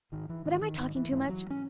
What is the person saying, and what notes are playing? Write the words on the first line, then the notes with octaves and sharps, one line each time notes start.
But am I talking too much?
G#1 D#3
E3
G#2 D#3
D#3
G#1 D#3
E3
G#2 E3
F#3
C#4